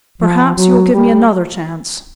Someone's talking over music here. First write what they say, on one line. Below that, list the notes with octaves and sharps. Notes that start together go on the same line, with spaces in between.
"Perhaps you will give me another chance?"
F3
F#3
G3